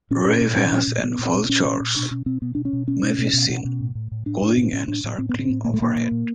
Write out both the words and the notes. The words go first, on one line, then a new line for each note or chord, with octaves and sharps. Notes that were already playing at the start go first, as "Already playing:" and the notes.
Ravens and vultures may be seen calling and circling overhead.
A#2 C#4
A#2
A#2
A#2 C#4
A#2
A#2
A#3
A#2 B3
A#2
C4
A#2
C4
A#2 C#4
A#2
A#2
B2 D4
B2 C#4
B2 C4
B2 B3
B2 D4
C#4
B2
B2 C#4
B2
B2
B2
B2
B2
A2
A2
A2
A2 D4
A2
A2
D4
A2 C#4
A2 D4
A2
A2 C4
B3
A2
C4
A2
A#2 A#3
A3
A#2 A#3
A#2
A#2